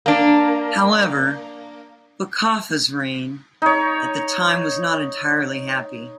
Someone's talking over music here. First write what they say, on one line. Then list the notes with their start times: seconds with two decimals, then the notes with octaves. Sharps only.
However, Bakaffa's reign at the time was not entirely happy.
0.06 A#3 D4
3.62 D#4 C#5